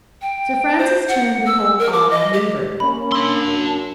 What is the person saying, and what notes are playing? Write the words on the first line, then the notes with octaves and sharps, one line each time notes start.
Sir Francis turned a cold eye on Hubert.
G5
C5
F#5
E6
A#4
D6
D#5
G4
A#3 C#4 B5
D4 C6 E6
F#2